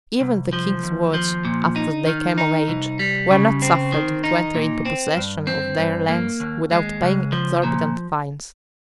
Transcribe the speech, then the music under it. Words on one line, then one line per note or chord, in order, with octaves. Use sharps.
Even the king's wards, after they came of age, were not suffered to enter into possession of their lands without paying exorbitant fines.
C2
F3
D#2
F3
A#2
D#4
D#3
D#4
C2
G3
C#3
C4
D#3
D#4
A#2
C4
G2
C4
G2
A#3
D#2
G#3
C#2
F3
A#2